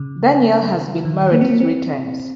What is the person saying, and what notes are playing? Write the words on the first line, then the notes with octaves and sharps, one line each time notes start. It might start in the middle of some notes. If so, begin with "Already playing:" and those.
Daniel has been married three times.
Already playing: C#3
D#3
A#3
C4
A#3
C4